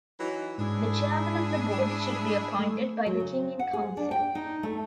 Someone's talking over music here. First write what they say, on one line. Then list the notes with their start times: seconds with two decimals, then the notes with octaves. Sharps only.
The Chairman of the board should be appointed by the King in Council.
0.18 E3 F#3 D#4
0.58 G#2 D4 E4 G#4
2.59 A3
3.06 F#3
3.20 C#3
3.59 F#5
3.73 G#4
3.97 D4
4.11 G5
4.35 D#4
4.63 A3